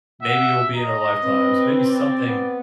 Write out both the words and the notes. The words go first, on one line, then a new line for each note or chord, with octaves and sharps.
Maybe it will be in our lifetimes. Maybe something,
E5 F#5
D#5 A#5
C4 B4
D5
B3